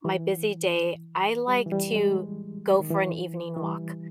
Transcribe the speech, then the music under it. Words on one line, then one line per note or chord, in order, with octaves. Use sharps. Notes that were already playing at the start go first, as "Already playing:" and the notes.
my busy day, I like to go for an evening walk.
E3
G3
E3
G3
G#3
D#3
E3
E3
G3